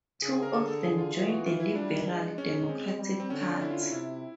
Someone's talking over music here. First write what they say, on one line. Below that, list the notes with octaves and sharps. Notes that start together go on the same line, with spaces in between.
Two of them joined the Liberal Democratic Party.
C#3 G#4
G#4
A#4
D3 A4
A4
G#4
F4
E3 F4
F#4
F4
E4
G3 D4
G#3
G#3 C#4
C4
G3
C4
D3 C#4
D4
C#4
E4
F4
E4
C3 E4